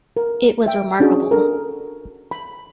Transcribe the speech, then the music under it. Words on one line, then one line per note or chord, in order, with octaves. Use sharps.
It was remarkable.
A#4
E5 G5
C#4 D4 F#4 G#4
D4 A4 A#4
B5